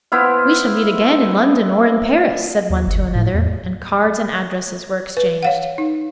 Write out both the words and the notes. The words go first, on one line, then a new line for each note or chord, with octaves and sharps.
"We shall meet again in London or in Paris," said one to another, and cards and addresses were exchanged.
B3 E4 C5 F5
D#2
G1
A2
E2
B4
C#5 F5 F#5
D#4